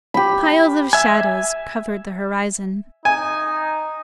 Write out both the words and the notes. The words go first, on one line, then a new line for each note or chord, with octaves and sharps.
Piles of shadows covered the horizon.
G4 B5
E5 G#5
D#4 G#5